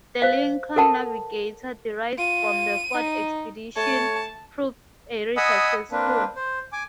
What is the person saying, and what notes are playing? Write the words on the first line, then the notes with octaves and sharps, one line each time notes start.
The Lincoln Navigator, derived from the Ford Expedition, proved very successful.
C5 F5
A4 A#4 F#5 A5
F4 D#7
D#4
A3 C#5 A5
D#5 F#5 G#5 B5 D#6 E6
A#3 C4 D4 B4
C5
G#5 D6